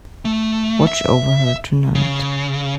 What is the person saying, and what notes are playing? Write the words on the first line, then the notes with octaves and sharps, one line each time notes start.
Watch over her tonight.
A3
E5
C#3